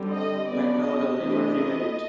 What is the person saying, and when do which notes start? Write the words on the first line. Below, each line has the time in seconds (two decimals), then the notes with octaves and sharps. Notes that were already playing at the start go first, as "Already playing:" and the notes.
McNamara never remarried.
Already playing: D3 G3 C4
0.12 D#5
0.47 F#3 B3 D4 D5
0.82 D#5
1.17 E3 A3 D4 D#5